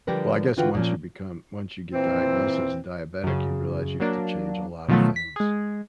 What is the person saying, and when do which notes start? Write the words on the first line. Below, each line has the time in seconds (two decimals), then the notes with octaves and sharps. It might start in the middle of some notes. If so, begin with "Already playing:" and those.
Well, I guess once you become once you get diagnosed as a diabetic, you realize you have to change a lotta things.
0.07 D3 F3 G3 G4 A#4 B4
0.57 D3 E3 F4 F#4 B4 G5
0.75 A#2 F3 C#4
1.93 A#2 E3 C4
3.24 F#2 C#3
4.00 F#3 A#3 D4
4.88 B2 D#3 F3 F#3 A3
5.16 B6
5.36 G#3 G#4